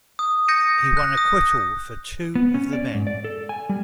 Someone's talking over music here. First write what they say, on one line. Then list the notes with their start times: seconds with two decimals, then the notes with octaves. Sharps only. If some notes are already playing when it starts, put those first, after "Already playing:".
He won acquittal for two of the men.
0.19 D#6
0.48 G6 A#6 C#7 D#7
0.97 F#6 A#6
1.18 D#6
2.35 B3
2.54 C#4
2.73 D5
2.94 G#2
3.07 D5
3.24 A4
3.49 G#5
3.69 G3